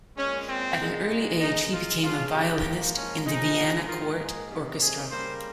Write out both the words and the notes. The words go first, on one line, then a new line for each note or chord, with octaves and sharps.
At an early age he became a violinist in the Vienna court orchestra.
A#2 G#3 C#4
C4
A#2 G#3
C#3 G#3 D#4
F4
C#3 F3 G#3 F4
G4
G#2 F3 A#3
C#4
A#2 F3 G#3 D#4
G#2 D#3 A#3 F4
G#4
C3 D#3 G3 A#3
G#4
C#3 G3 A#3 C5